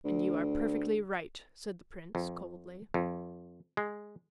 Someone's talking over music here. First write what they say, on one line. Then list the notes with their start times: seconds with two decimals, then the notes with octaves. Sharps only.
"And you are perfectly right," said the prince, coldly.
0.04 D2
2.15 F2
2.94 F2
3.77 G#3